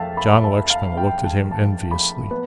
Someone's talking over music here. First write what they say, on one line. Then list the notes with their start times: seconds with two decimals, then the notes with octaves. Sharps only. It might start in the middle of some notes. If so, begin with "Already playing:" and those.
John Lexman looked at him enviously.
Already playing: F2 A3 E5 F5 G5 A5
0.17 B5
0.44 A5
0.70 F5
0.97 G5
1.24 A5
1.51 A5
1.91 B5
2.31 B3